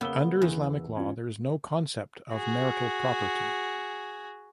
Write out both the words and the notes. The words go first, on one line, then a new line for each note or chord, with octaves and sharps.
Under Islamic law, there is no concept of marital property.
C#3 A#3 B3 E6 G7
E2
C#4 F4
F#4 G#4